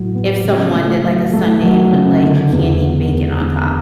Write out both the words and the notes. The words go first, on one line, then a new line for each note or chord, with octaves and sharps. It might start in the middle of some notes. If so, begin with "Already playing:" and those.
if someone did, like, a sundae and put, like, candied bacon on top.
Already playing: A2 F#3
B3
C#3
A3
F#3
A3
F#3
C#3
D3
E2
D3
E2
D3